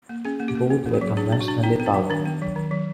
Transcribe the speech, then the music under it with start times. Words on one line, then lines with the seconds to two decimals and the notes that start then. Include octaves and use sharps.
Both were conventionally powered.
0.09 A#3
0.25 C#4 G#4
0.40 A#3
0.48 G4
0.55 A#3
0.71 C#4
0.86 A#3
0.94 G#4
1.01 F#3
1.17 D4 G#4
1.32 D4
1.41 F#4
1.48 D4
1.63 B3 D#4
1.80 B3
1.86 D4
1.94 F#3
2.10 D#3 D4
2.25 B3
2.42 F#3
2.56 D#3
2.71 F#3